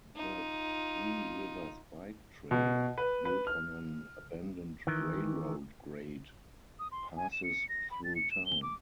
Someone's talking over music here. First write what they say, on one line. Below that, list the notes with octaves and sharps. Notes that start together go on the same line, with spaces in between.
The Three Rivers Bike Trail, built on an abandoned railroad grade, passes through town.
D#4 F4
B2
B4
B4
F6
D#3 E3
D#6
C6
G#5
E7
C#7
A#6
B5
A6
C#7
E7
G7
D6